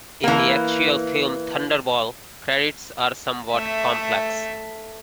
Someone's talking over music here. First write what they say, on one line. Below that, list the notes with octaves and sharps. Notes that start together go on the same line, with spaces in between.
In the actual film "Thunderball", credits are somewhat complex.
E3 A#3
A3 E5